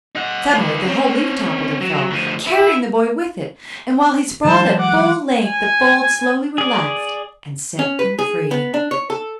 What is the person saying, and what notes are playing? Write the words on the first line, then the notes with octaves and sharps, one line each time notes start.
Suddenly the whole leaf toppled and fell, carrying the boy with it, and while he sprawled at full length the folds slowly relaxed and set him free.
D#4 F#5
F4 B4
C4 C#4
F#3
D2 F3
E4 E5
E3 F#3 G#3 C5 A5
F#5 D6
G#5
G#4 D5
C#4
B4
G#4
B3
D4
C#5
A4